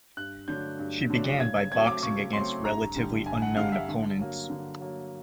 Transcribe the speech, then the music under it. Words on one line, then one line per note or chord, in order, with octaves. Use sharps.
She began by boxing against relatively unknown opponents.
G2 F#6
D3 F#3 A3 D4 G6
G2
D3 F#3 A3 D4
C#3 G#6
G#6
F#3 A3 C4 G#6
D6
C#3 C#6
F#3 A3 C4 C6
G2 A#5
D3 G3
G2 G#5
F#5
D3 G3 F5
E5
D3
F#3 A#3
D3
F#3 A#3